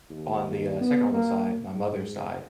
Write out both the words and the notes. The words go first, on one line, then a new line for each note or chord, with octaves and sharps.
on the, uh, second oldest side, my mother's side,
D#2
B3
A#3
G#2